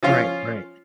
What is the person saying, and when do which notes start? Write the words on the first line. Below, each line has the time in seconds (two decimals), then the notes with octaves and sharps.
Right, right.
0.03 F3 C#4 F4